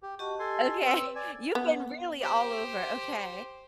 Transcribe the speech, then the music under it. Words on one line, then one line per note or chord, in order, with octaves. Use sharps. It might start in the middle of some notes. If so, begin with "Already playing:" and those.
Okay, you've been really all over, okay.
G4
F#4 G4 D#5 A5
A4 G#5 C6
C4 B4 C#5 E6
D5 G#5
B3
G4 C5